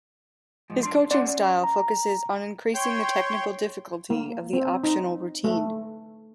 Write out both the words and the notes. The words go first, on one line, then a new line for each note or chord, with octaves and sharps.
His coaching style focuses on increasing the technical difficulty of the optional routine.
G#2 F3
D4 C6
C#4 D5 F#5 C6
A#5
C#5 G5 C6
A#3
C4
D#4
A3